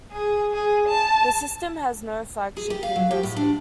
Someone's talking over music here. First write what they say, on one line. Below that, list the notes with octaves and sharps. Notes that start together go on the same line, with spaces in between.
The system has no flagship university.
G#4
G#4
A5
G#4
G4
F5
F#3
G4
A2
D4